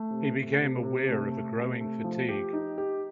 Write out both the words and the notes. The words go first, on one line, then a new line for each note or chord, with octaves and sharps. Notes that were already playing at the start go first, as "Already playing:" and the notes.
He became aware of a growing fatigue.
Already playing: A3
C3
A3
C3
C3
A3
A3
C3
A3
F3
G4
D#4
G4